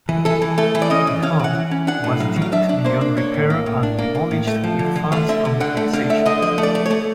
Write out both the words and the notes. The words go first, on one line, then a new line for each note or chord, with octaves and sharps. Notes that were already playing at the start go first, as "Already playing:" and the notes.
The home was deemed beyond repair and demolished with funds from the organization.
E3
E3 A4
E3
A3 A4
E3
D5
C#4 D#5
E3
C#4 F5
E3 F#5
E3
C#4
D4 F#5
A2
F#3 F5
F#3
F5
D4 E5
D4
A#3 C5
D4
A#3 C#5
A2
A#3
A2
D4
A#3
A#3
A2
A3
F3
D3
D3
A3 F5
D3 E5
D3
D3 F#5
A3
D3 F5
A3 E5
D3 D#5
F3 D#5
A3
D5
A3
C#5
A3